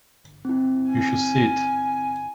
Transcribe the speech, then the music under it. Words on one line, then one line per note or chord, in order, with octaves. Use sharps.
You should see it.
C4 E4
G#5